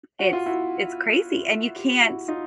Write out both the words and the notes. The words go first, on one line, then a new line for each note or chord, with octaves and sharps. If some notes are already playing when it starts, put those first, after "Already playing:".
it's it's crazy, and you can't
F#4
F4
E4 F#4
F4 G4
E4 F#4
D#4 F4